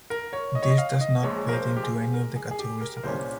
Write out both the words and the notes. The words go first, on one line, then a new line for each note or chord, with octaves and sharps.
This does not fit into any of the categories above.
A#4
C#5
D#5
C#5
D#5
F5
D#5
A#1 A#2 F3 G#3 C#5
A#4
C5
G4
G#4
A#4
G#4
G#4
G4
A#4
A#4
C2 A#2 G3 C#4 C5